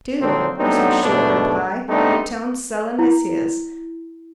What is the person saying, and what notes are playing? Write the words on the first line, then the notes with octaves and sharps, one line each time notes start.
"Two," was her short reply, her tone sullen as his.
A#2 D3 D#3 F3 F#3 C4
F#3 A3 B3 C4 D4 D#4
D#2 G#2 B2 D#3 A3 D4
G3 A3 B3 C4 D4 D#4
E4